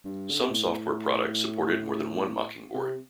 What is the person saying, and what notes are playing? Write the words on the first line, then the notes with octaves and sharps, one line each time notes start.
Some software products supported more than one Mockingboard.
G2
D3
C3
A2
C3